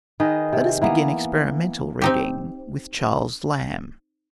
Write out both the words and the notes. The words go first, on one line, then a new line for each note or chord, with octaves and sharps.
Let us begin experimental reading with Charles Lamb.
D#3 G#4 B4 D#5
C3
E3 A#3 B3
C4 D#4 G4